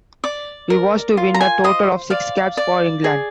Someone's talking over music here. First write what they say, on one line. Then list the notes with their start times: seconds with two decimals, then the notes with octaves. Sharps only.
He was to win a total of six caps for England.
0.24 D5 D6
0.70 A#4
1.17 F4
1.34 A#5
1.41 G#5
1.64 C5 D#5
2.10 D5 F5
2.57 D5
3.04 G#4